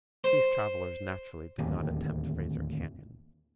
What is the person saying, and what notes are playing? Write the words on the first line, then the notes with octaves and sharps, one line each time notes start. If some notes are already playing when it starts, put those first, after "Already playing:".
These travellers naturally did not attempt Fraser Canyon.
C5
D1 D#2